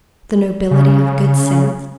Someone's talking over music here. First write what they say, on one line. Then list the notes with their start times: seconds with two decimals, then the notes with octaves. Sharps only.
The nobility of good sense.
0.71 C#3